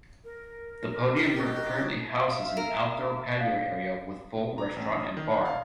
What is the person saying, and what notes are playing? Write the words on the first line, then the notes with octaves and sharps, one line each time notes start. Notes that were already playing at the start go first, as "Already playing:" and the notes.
The podium roof currently houses an outdoor patio area with full restaurant and bar.
A#4
G4
D#4 F#4
E5 F5
A#4
D5 F5
A#5
A1
D#6
D#3
F#5
F5